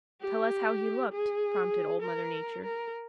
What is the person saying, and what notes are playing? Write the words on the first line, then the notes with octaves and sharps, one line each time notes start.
"Tell us how he looked," prompted Old Mother Nature.
G4
G#4
A#4
A#4